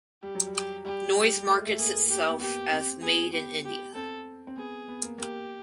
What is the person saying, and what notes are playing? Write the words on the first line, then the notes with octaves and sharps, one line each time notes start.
Noise markets itself as "Made in India".
G3 G4
F#3
G3
G4
G3 G4
G3
G3
A3
G#3
A3
A#3 G#4
A#3
A#3 G4
B3
A#3 G4
C4
B3 G#4
B3 G4
G4
C4 A4
C4
B3 G#4
B3
A#3
A#3 G4